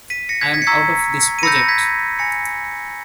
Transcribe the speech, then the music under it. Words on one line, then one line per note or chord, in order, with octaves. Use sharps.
I'm out of this project.
B6 D#7
A#6 C#7
G#6 B6
G#6 B6
C#7
A#5 C#6 E6 G#6 B6
D#7
B5 E6 G6 A#6 C#7
A#6 C#7
G#6 B6
G#5 B5 E6 G6 A#6 C#7